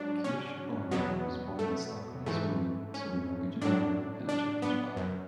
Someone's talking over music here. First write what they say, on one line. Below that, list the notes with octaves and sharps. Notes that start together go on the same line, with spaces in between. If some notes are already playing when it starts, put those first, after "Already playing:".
Kirsebom was born in Stockholm, Sweden, to a Norwegian mother and a Turkish father.
Already playing: G#2 F#3 D4 F#4
C#4
E2 B2 F#3 B3
A3
G#2 E3 A3
C#4
A2 F#3 D4
D4
B3
F#2